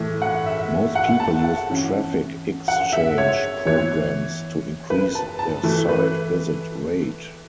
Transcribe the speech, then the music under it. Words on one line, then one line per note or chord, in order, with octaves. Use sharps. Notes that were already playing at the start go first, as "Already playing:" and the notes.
Most people use Traffic Exchange programs to increase their site visit rate.
Already playing: A2 E3 A3
F#5
E5
F#5
A5
F#5
E3 C#4 E4
F#5
E5
C#5
E3 B3 E4 C#5
B4
A5
A5
E3 A3 E4
B4